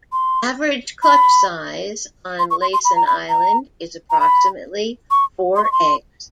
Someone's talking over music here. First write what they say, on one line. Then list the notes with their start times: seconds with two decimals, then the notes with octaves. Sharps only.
Average clutch size on Laysan Island is approximately four eggs.
0.13 C6
1.03 B5
2.39 C6
2.51 C#6
2.62 C6
2.73 C6
2.85 B5
2.96 A#5
3.07 B5
3.30 A#5
4.11 A#5
4.20 B5
5.11 C#6
5.56 C6
5.64 C#6
5.72 C6